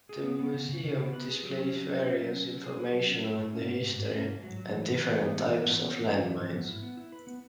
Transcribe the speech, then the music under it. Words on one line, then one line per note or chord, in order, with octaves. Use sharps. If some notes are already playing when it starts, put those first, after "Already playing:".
The museum displays various information on the history and different types of land mines.
G#4
B3
B3
C#3
C#3
C#3
B3
B4
G#4
F#3
C#4
F#3
C#4
C#4
F#3
C#4
F#3
G#4
B4
F#3
C#4
E4
G#2
C#4
G#2
G#2
G#2
C#4
G#2
F#3
F#3
E3
G#2
E3
B3
G#2
E3
B3
B3
E3
G#2
E3
G#2
B3
E4
B3
E4
B4
B3